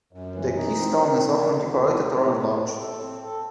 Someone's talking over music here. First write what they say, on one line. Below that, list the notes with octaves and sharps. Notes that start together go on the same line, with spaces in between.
The keystone is often decorated or enlarged.
F#2
E3
D#4
C4
D#3
D#3
D#2
D#2
G#3
A2
G#3
A2
A4
C4
A4